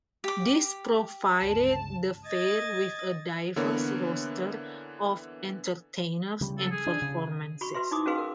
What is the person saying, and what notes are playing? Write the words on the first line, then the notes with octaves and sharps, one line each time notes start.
This provided the fair with a diverse roster of entertainers and performances.
G4 D6
G1 C#2 C#3 A5
D#5 G#6 A6
D3 E3 A#3 B3 A#4 C#5
C#3 G3
A4
G#4
D4
C#3
F#4 B5 C#6
F#4 B4 E5 C6
D#4 E4 D6 D#6
C#4 F#4 G#4 B4 F5 C6
A#4